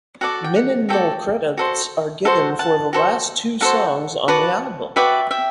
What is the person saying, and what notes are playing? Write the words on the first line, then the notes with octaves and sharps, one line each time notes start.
Mininmal credits are given for the last two songs on the album.
F#4 A4 D5 F#5
G5
F#5
F#4 A4 D5 E5 G5
F#4 A4 C5
F#4 A4 C5 F#5
F#5 A5
F#4 A4 C5
F#4 A4 C5 F#5
F#4 B4 D5 F#5 A5
F#4 B4 D5 E5 G5
E5 G5